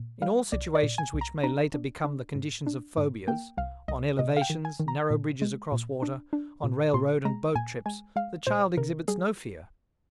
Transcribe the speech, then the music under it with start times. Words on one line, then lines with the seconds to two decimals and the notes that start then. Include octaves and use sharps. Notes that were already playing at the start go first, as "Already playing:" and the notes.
In all situations which may later become the conditions of phobias, on elevations, narrow bridges across water, on railroad and boat trips, the child exhibits no fear.
Already playing: A#2
0.22 G3 F5
0.52 C2 D5
0.75 D5
0.83 A#2
0.98 G#5
1.14 C2
1.21 A#5
1.44 D4 A#5
1.74 D4
2.05 D4
2.35 G#2
2.67 D4
2.97 G#2
3.28 A#3 G5
3.57 C2 F5
3.88 C2 D#5
4.19 C3 D#5
4.37 F5
4.42 G5
4.50 D#3
4.65 G#5
4.80 D#3
4.88 A#5
5.10 A#2
5.42 G#3
5.72 A#2
6.02 D4
6.33 D4
6.64 A#2
6.94 A#2 C6
7.25 G#3 A#5
7.55 A#2 G#5
7.86 G#3 G#5
8.16 G#3 F5
8.47 A#2 C5
8.77 C3 A#4
9.08 G3 G#4